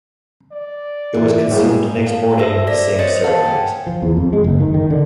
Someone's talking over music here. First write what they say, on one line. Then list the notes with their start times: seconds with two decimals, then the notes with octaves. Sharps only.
It was consumed next morning with the same ceremonies.
0.52 D5
1.14 E3
1.51 A2 G3 G#3 A#3 B3 E4 G#4
2.03 A4 F5
2.38 F#4 A4 C5 E5 E6 A#6
2.67 D5 A#6 B6
2.98 C4 C5 C#5 D#5 A6 C#7
3.24 F5 F#5 A5
3.44 G5 G#5
3.87 F3
4.02 E2
4.17 F2
4.33 G#3
4.44 F#1
4.60 D#3
4.74 D#3
4.90 D3